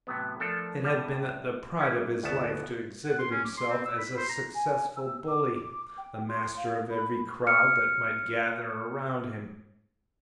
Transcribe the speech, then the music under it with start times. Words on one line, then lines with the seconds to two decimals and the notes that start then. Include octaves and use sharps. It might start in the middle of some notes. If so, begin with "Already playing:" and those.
It had been the pride of his life to exhibit himself as a successful bully--the master of every crowd that might gather around him.
0.07 A2 C3 F#3 B3
0.40 F3 A3 D4 A4 A#4
0.84 A2 G3
1.78 A#3 C#4 D#4 E4
2.23 G1 D2 B2 B3 A5
3.05 F#5
3.19 C6
3.31 C#4
3.45 D6
3.57 C6
3.70 C4
3.86 E6
3.98 B5
4.17 C5
4.29 A#5
4.55 G#5
4.97 E6
5.28 D6
5.55 D6
5.98 G5
6.29 C6
6.57 F5
6.90 B5
7.47 F6 C#7